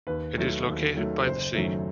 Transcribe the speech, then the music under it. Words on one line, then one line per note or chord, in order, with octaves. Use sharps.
It is located by the sea.
D#2 B4
D#3 F#3 A3
D#2
D#3 F#3 A3
F#1 C5
F#2 D#3 F#3 A3